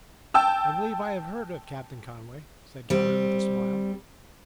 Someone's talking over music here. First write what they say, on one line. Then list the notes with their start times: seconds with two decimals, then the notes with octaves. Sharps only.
"I believe I have heard of Captain Conway," said Calhoun, with a smile.
0.34 G5 A5 E6
2.90 G3 C4